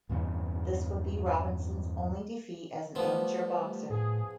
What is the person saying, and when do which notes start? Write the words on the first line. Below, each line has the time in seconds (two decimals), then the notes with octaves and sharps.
This would be Robinson's only defeat as an amateur boxer.
0.09 E2 G2 C#3 E3
2.95 F3 G3 A3 B3
3.90 A2 G#4